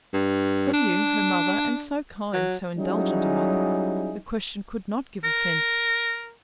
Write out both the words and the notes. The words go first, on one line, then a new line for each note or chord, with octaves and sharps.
From you, her mother, and so kind, so indulgent a mother, the question could not give offence.
G2
D4
F#3
F#3 G3 C#4 D#4 E4 G#4
A#4